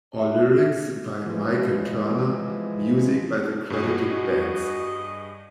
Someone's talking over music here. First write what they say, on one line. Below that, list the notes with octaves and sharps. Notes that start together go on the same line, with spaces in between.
All lyrics by Michael Turner, music by the credited bands.
E5
E3 F3 G#3
G2 F#4 G#4 D#5